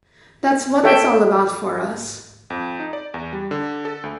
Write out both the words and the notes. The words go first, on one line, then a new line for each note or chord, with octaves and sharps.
That's what it's all about for us.
A4 C#5 E5 G5
F2
D#4
D5
E2
G3
D3
A4
D2